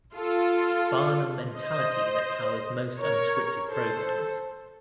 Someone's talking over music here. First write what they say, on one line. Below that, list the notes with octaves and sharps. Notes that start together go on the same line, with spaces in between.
Barnum mentality that powers most unscripted programs.
F4 A4
C5 D#5
A#4 C#5
A4 C5